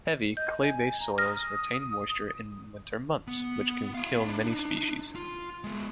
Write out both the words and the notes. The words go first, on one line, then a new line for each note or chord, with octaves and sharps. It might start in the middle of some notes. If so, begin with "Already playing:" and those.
Heavy, clay-based soil retains moisture in winter months, which can kill many species.
D#5 G6
G#5
A#5
D#6 F6 A#6
B3
E4 F5
D4 D#4
F4
G#3 B3